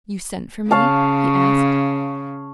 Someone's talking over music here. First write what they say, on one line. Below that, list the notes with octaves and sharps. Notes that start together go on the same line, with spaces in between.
"You sent for me?" he asked.
C#3 C#5 F5 A5